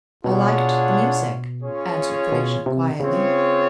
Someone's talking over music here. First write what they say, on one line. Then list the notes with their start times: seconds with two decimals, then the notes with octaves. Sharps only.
"I liked the music," answered Felicia quietly.
0.24 B2 D4 F4 G#4 C#5 F#5
1.62 C#4 F4 G#4 C#5
2.32 B2
2.66 C3
3.00 C#3 C4 F4 G#4 C#5